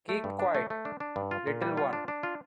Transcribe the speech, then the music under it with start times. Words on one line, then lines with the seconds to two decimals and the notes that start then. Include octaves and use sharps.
Keep quiet, little one!
0.09 A3
0.24 G2
0.40 D4
0.55 A3
0.70 A3
0.85 D4
1.00 D4
1.16 G2
1.31 F4
1.47 A#2
1.62 G3
1.77 F4
1.93 D4
2.08 D4
2.23 F4